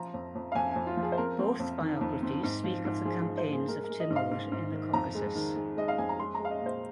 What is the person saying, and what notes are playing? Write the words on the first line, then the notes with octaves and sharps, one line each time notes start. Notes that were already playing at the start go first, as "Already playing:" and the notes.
Both biographies speak of the campaigns of Timur in the Caucasus.
Already playing: F3 A#5
F2
F2
F5
F2 G#5
F2 G#5
F4
F3
G#4
C5
C4 A#4
C4
F2
D#3
F2
C4
G#2
F3
G#2
F3 G#4
G#4
G#2
C5
A#3 G#4
G#3 A#4
A#4
G#3
D#5
G#2
F5
G#2
G#2
D#3
F2 A#5
G#3
D#3
G#3
G#3 D#5
F5
F2 G#5
A#5
G#3 C6
A#5
G#3
F5
D#5
A#2
C5